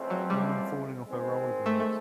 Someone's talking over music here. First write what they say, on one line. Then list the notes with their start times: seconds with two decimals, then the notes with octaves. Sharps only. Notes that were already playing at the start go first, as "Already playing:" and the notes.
Woman falling off her rollerblades.
Already playing: F2 C#3 E3 A3 C4
0.10 F#3
0.30 G3
1.08 D#3 G#3 C4
1.66 A3
1.80 A3